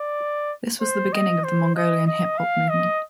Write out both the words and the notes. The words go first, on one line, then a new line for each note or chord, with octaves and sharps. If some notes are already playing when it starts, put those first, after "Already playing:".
This was the beginning of the Mongolian hip hop movement.
Already playing: D5
C5
D#5
C5
D#5
D#5
F5
D#5